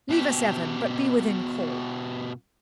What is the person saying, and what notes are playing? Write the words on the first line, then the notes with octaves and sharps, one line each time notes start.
Leave us, Evan, but be within call.'
B2 G4